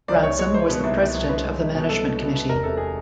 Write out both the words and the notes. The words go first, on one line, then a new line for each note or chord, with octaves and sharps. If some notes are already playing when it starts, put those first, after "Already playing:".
Ransom was the president of the management committee.
C2 D5
C2 C#5
G#3 C#5
C2 C5
B2 B4
C2
C2
C2
C2 B4
G#3
C2
B2
C2 A4
B2
B2
B2
E1 A#4
C3 A4
G#4